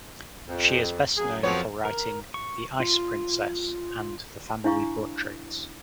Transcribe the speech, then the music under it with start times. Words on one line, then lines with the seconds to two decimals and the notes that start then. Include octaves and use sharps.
She is best known for writing "The Ice Princess" and The Family Portraits.
0.48 F2
1.18 F#2 F#3 G#4
1.43 F2 F3 F#3 B3 C#5
1.85 A#4
2.34 C#6
2.80 F4
4.64 D4 E4 F5 C#6